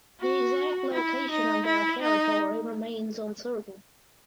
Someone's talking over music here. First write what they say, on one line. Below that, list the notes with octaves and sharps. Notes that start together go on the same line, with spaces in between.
The exact location of their territory remains uncertain.
F#4
E4
D#4
E4
D#4